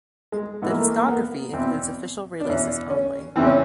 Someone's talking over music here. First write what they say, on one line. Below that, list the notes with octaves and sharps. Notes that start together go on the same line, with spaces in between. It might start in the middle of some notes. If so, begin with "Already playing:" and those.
The discography includes official releases only.
G#3
G#2 E3 B3
A#3
A3
A#3
A#3
B3
E2 B2 C4
D4
E2 B2 C#4
C#4
E2 C#3 E3 C4
C#4